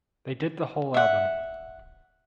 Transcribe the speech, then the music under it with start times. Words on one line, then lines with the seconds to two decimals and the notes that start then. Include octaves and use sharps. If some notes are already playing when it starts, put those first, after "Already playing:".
They did the whole album.
0.94 E5 F#5